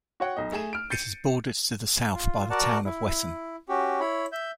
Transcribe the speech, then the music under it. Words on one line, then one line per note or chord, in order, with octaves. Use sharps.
It is bordered to the south by the town of Wesson.
F#4 C#5 F#5 G5
B1 D#5
A3 G#4 G#5 E7
F6 D7
G6 A6 C7 C#7 D#7
F4
F#4 A#4 D5 F#5 A5
E4
C#4 F#4 G4
E4 C#5 B5
E5 G6